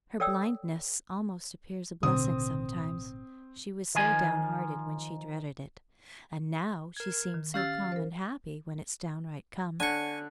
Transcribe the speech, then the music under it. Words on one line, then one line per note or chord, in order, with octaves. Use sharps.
Her blindness almost appears a blessing sometimes; she was so downhearted when she dreaded it, and now she seems so calm and happy when it's downright come.
A4 C#5 D5 G5 D#6 E6
A1 B2 D3 C4 D#6
D#3 F3 G#5
A#4 G#6
D#3
C#4 G4 F5 E6 F6 A6
A#4 C5
D3 G#5 C#6